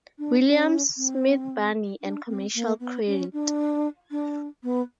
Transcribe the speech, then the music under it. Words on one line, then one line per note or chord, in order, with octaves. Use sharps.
Williams, Smith Barney and Commercial Credit.
D4
C#4
C4
D4
C4
A#3
B3
C#4
D4
D4
B3